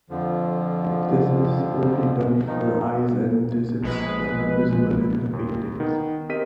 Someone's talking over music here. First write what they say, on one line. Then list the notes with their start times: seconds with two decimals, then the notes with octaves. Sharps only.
This is only done for eyes and digits that are visible in the painting.
0.10 F2 D3 F3
2.47 D#3 F3 D#4
3.82 A#1 G#3 B4
5.33 D#2
5.80 D#3 B3 D#4
6.29 C4 G4 A#4 D#5 B6 D#7